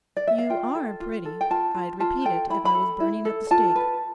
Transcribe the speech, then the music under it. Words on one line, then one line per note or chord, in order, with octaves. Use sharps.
You ARE pretty: I'd repeat it if I was burning at the stake.'
D5
E5
F5
F4 G5
A4
F4
A4
G5
F4 A5
F4
F4 A5
A4 G5
E4 B5
B5
A4
E4
A4
F4 A5
B4